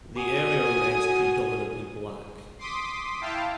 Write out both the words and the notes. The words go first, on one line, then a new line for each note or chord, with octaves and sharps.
The area remains predominantly black.
F#4 G#5 D#6
C6 D6 D#6 B6
E4 F5 G5 A5